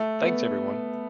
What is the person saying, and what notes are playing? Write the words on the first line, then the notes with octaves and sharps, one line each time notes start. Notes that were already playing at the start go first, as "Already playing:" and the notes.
Thanks everyone!
Already playing: A3
B3